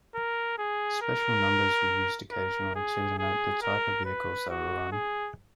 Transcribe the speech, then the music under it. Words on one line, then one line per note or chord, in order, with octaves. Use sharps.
Special numbers were used occasionally to denote the type of vehicles they were on.
A#4
G#4
A#4
A#4
G#4
G#4
A#4
B4
F#4
G#4